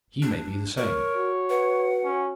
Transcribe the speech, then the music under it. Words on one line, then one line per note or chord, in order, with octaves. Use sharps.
He may be the same.
D4
A#4 C#5
F#4
B4 F#5
C#4